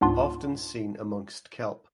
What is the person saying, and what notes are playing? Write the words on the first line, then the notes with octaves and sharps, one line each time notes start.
Often seen amongst kelp.
C#2 G#2 B3 D4 F4 C6